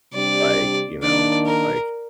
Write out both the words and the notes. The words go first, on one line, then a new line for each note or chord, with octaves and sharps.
like, you know, like,
C3 G3 D4 G4 D5
D#3 A#3 D4 D5
A#4